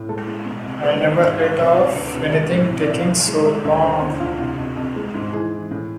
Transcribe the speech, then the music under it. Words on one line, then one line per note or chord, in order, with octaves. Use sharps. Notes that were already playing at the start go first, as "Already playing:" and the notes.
I never heard of anything taking so long.
Already playing: A2
G#3 A4
G#3
B2
C2
G#3 B4
E2 C5
G#2 E5
G#3 F5
C2 E5
C2 D5
D2 B4
C3
G#3
A2
C2
D5
C2 E5
F5
A2
G#3
G#3 E5
D2 E5
D3 C5
E2
D2 F4
C3 F4
F2
F2
G#3
G#2
E3 G#4
E3
A2